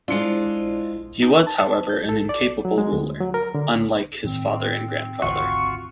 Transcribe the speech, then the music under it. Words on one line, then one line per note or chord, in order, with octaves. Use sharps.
He was, however, an incapable ruler; unlike his father and grandfather.
G#3 D4 E4 F4 C5 C#7
D#4
A5
G6
A4
D5
F#3
G#3
D2
F#3
A#4
D3
A2 D#3 C4 D4
G#1 D2 E3 F4 F#4 C#6